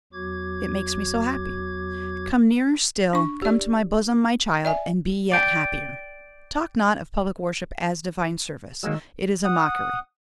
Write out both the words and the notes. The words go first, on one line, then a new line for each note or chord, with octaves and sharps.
It makes me so happy!' 'Come nearer still--come to my bosom, my child, and be yet happier.'--Talk not of public worship as divine service; it is a mockery.
E2 F#3 F#4 D6 G#6
D4 C#6
G4 D5
D5 E5 G#5
D5 G5
D#3 F#3 G#3 A#3 E6
F#5 D#6